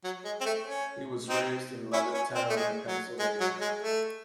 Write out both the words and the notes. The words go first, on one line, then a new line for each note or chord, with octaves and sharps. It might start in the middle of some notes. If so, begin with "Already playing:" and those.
He was raised in Levittown, Pennsylvania.
F#3
G#3
C4
A3
C#4
C4 D#4
C#4 E4
C#4
C4
A3
G#3
F#3
G#3
F#3
G#3
A3